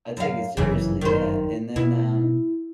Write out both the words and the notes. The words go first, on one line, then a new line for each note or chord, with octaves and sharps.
I take it seriously, yeah, and then, um
F#2 F5
G1 F#2 C#3 E3
D#3 C5
B2 E4